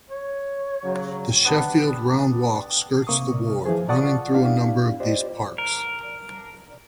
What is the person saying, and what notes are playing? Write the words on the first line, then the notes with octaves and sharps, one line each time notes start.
The Sheffield Round Walk skirts the ward, running through a number of these parks.
C#5
C#3 F#3
B3 D4 G4
C3 A#3 C#6 D#6
E3 F3 G#4 C5
F4 D5 F#5 A5 C#6 D#6
B3 D4 E4 G4 F5
F4 G4 C5 D5 D#5
A#4